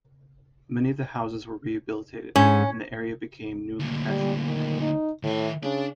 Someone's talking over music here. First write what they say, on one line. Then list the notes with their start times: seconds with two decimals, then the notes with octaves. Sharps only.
Many of the houses were rehabilitated, and the area became newly fashionable.
2.36 G#2 C#4
3.79 D2 A#2
4.08 G3
4.46 D#3
4.81 D#4
5.23 A2 D#3 E5
5.63 C#3 D4